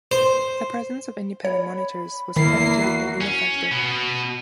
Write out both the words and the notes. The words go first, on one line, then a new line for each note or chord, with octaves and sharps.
The presence of independent monitors was claimed to have been ineffective.
C5
C#5 B5
E2 D#3 A#3 E4 C7
F#4
C#4
B2